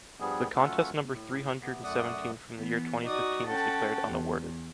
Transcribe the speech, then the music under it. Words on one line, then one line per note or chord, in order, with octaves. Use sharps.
The contest number three hundred and seventeen from the year twenty fifteen is declared unawarded.
G2 F3 G3 B3 G#4
F#3 A3 C#4 F4 A4 F#5
A2
C3 B3
F#2 A3 D5 F#5 D#6
E3 B3
D#4 F#4 D5 D#6
C#4 A4 F#5 G5 A5
E2